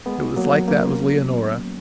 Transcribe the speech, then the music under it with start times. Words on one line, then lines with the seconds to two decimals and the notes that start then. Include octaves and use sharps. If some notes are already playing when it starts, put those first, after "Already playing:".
It was like that with Leonora.
0.06 G#3 B3
0.36 F#3 A#3
0.68 A#3 C#4